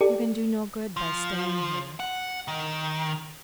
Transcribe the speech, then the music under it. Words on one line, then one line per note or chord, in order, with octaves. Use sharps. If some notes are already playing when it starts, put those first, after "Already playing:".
You can do no good by staying here.
G4 A4 D5
F3
F#5
D#3